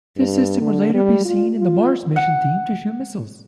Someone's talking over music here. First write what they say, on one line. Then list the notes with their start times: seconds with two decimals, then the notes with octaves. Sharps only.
This system would later be seen in the "Mars Mission" theme to shoot missiles.
0.17 G2
0.61 D3
0.94 G3
1.25 F4
1.58 F4
2.16 F#5